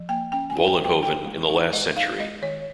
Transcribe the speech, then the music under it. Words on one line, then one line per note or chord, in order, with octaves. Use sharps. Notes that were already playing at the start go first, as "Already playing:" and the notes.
Vollenhoven in the last century.
Already playing: F3
A#3 G5
C#4 G5
G#5
F4
G5
F3
G5
D#4 G5
G#3
D#4
G#3 D#5
D#4 F5
G#3 D#5
D#3 C#5